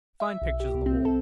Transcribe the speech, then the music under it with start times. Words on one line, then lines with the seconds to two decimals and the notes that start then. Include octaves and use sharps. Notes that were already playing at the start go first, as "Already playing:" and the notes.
Fine pictures on the wall.
0.20 E5
0.42 B1
0.60 G4
0.74 C2
0.86 C4
1.05 A4